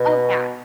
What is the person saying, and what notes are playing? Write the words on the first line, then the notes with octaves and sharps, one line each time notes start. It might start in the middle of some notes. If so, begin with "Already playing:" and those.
oh, yeah,
Already playing: B2